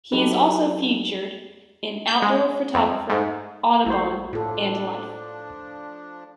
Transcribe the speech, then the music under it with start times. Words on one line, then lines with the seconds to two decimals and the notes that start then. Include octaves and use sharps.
He is also featured in "Outdoor Photographer", "Audubon", and "Life".
0.12 F#3 C#4 D#4 G4 A4 B4
2.08 G6
2.22 G#3
2.74 F2
3.09 G#2
3.86 A#1 A3 E4 F#4 C5
4.33 A2 F3 D4 F4 A4